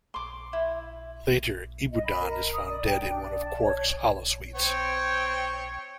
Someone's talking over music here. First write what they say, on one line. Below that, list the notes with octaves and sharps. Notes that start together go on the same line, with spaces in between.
Later, Ibudan is found dead in one of Quark's holosuites.
C6 D6
E4
D#5
B5
A#4
D#6
D5
G5
D4
D5
A5
C#5
C4 C#5 G5